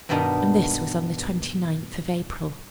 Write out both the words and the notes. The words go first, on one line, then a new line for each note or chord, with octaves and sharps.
And this was on the twenty-ninth of April.
G2 B2 D#3 B3 D4 D#4